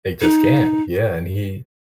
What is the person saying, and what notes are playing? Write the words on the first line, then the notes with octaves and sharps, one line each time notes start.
It just can't, yeah, and he
D#4